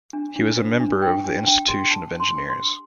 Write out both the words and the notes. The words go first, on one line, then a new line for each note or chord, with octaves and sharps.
He was a member of the Institution of Engineers.
D4
D4
C5
D4
G4 G5
D4
D4 G5
G4 C6
D4 A5
D4
C6
D4
C6
G4